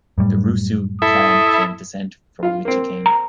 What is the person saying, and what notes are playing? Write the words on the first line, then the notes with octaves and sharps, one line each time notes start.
The Rusu clan claimed descent from Michikane.
F#2 A2 G3
E4 A4 E5 D#6
F4 F5
A#3 C4
A#5